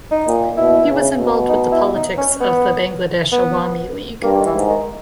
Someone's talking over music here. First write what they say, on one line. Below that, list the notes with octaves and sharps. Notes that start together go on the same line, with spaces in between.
He was involved with the politics of the Bangladesh Awami League.
D#4
A#2
B2 E4
C#3
B2
D#4
E4
D#4
C#4
B3
B3
G2 A#3
D#3
E3
G#2
D#3